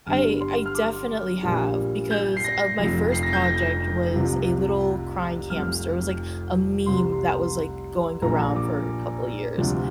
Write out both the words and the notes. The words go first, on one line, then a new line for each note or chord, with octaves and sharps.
I I definitely have because of my first project was a little crying hamster, it was like a meme that was, like, going around for a couple of years
G1 G2 D3 G3 F6
C6
F6
D6
A#1 A#2 G3
G6
C7
A#6
F1 F2 F3
C7
A#6
G6
A#6
C2 C3 F3
F1 F2 F3 F6
C2 C3 G3 C6
A#1 A#2 F3 A#5
D6
D2 C3 F3